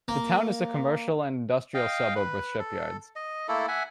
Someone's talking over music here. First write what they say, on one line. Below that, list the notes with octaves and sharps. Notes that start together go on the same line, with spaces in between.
The town is a commercial and industrial suburb with shipyards.
A#3
D#5 F5 G5
B4
A4
D#5
A3 A#3 E4 A4
E5 F#5 G#5